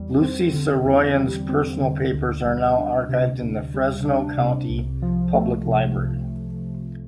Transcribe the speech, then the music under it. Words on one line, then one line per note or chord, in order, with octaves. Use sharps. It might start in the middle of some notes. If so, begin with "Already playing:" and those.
Lucy Saroyan's personal papers are now archived in the Fresno County Public Library.
Already playing: E2 G3
C4
D3
E2
G3
C4
D3
D2
G3
D4
C3
D2
G3
D4
C3
C2
F3
A3
C3
C2